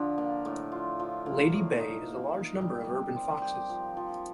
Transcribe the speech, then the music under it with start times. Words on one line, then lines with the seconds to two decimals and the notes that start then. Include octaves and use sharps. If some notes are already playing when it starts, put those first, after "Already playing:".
Lady Bay has a large number of urban foxes.
Already playing: D3 F3 D4
0.18 A#3
0.45 A2
0.72 F4
1.00 F3
1.26 A#3
1.53 A2
1.80 D#4
2.08 A#3
2.34 D#4
2.61 G3
2.88 G3
3.16 C4
3.42 G4
3.69 F3
3.97 F3